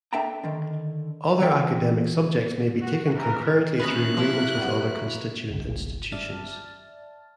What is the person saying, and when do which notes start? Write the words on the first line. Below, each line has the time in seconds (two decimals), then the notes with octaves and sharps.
Other academic subjects may be taken concurrently through agreements with other constituent institutions.
0.13 D4 A4 E5 G5 A5 A#5
0.44 D3 D#3
1.41 E2 E3 A4 G5
2.81 F#4
3.15 E3 A#4
3.79 D#3 A3 C#4 B4 D#5 B5 F#6
4.17 F3 F#3 A#3 E4
4.58 G3 B3
5.51 G1 C2
6.12 D5 E5 A5 F6 A6